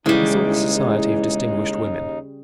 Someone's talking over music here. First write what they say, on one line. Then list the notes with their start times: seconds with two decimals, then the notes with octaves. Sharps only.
He sought the society of distinguished women.
0.06 D#2 C#3 E3 G3 G#3 D#4